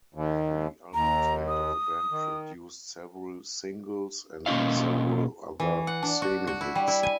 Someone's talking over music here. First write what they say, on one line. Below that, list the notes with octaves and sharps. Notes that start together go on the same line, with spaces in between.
Three albums later, the band produced several singles and several other semi-hits.
D#2
D#2 A#5
D#6
D#3
B2 A#3 C#4 E4 D#5 F5
E3
F#5
D4
F#4
F#4
E4
G3
E4
G#5